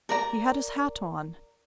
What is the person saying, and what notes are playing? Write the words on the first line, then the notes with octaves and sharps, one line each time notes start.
He had his hat on.
A#4 D5 A#5